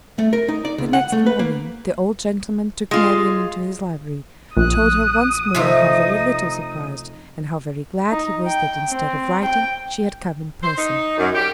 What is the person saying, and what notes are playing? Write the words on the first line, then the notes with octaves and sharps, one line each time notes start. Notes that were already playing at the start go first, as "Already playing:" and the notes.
The next morning, the old gentleman took Marian into his library, told her once more how very little surprised, and how very glad he was that instead of writing, she had come in person.
A3
A#4
D#4
D5
C#2
F#5
A3
B4
A#3
G#3 F4
A#1 D#6 F#6
C3 F3 A3 D#4
D#4
G5
C4
G5
C5
D#4
F#2
G4